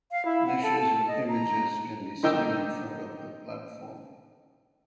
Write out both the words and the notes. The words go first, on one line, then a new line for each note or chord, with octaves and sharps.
Niches with images can be seen in front of the platform.
F5
E4
F#5
A4
A5
D#5
A#5
D3 D#3 D#4 G5 E6